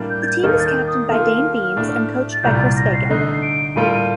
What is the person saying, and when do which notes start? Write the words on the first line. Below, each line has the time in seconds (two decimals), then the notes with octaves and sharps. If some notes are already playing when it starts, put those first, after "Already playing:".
The team is captained by Dayne Beams and coached by Chris Fagan.
Already playing: A2 G3 A#3 D4
0.10 G6
0.23 A6
0.27 G6
0.43 D#2 D#3 A#3 D#4 A4 F6
0.60 A6
0.66 G6
0.87 D#6
1.09 D#3 A#3 F4 A4 F6
1.76 A2 A3 D4
2.33 A6
2.43 C2 A#2 G3 G6
2.60 A6
2.76 A#6
2.93 C7
3.09 D3 A3 D#4 C7
3.42 D7
3.76 A2 G3 A#3 F4 A4 D#7
3.93 D#7